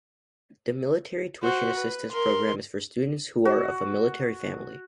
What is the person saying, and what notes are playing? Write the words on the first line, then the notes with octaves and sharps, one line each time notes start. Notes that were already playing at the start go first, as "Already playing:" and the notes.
The military tuition assistance program is for students who are of a military family.
F#4 C5
B4
A#4 C6
F#4